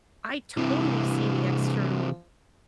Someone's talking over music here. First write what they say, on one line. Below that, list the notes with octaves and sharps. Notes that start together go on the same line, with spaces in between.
I totally see the external
C3 E3